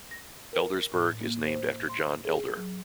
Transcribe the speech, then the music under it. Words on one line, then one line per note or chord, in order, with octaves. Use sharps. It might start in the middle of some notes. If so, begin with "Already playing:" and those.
Eldersburg is named after John Elder.
A#6
A#4
A2
A#3
C5
C6
G#4
F#3